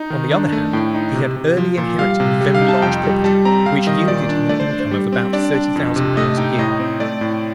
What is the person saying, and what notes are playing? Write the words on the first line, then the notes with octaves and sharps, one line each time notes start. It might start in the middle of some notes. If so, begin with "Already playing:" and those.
On the other hand, he had early inherited a very large property which yielded him an income of about thirty thousand pounds a year.
Already playing: D#4
D#3
D4
A3
A2 G5
D#4
C3
C3
F3
A#2
G3 F5
C3
G3
F5
D#4
A5
F2 G5
G3
G3 A5
C4 A#5
G3 F5
D#3 D#5
A#2 D5
D4
A3 D5
C5
D4
C5
G3
C4
D4 D5
D4
F2
C3
A3 D#5
D#4 G5
A2 D#5
C4
A3 D5
A2